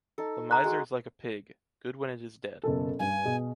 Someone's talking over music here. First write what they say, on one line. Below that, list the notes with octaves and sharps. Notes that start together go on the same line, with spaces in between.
The miser is like a pig, good when it is dead.
D#4 A4
A#5 F#6
G#3 F#4 G#4
F#1 B2 A4
G2 G#5
B2 G#4